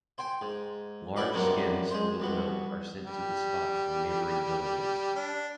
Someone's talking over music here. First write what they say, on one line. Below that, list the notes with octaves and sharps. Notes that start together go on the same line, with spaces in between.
Large skins full of milk are sent to the spot from neighboring villages.
C5 G5 G#5 C6
G#2
C#4 D4 F#4 B4 D5 D#5
F#2 C3 G3 A#3 B3 D4
G#3 C5
C2 B2 B3
G3
D4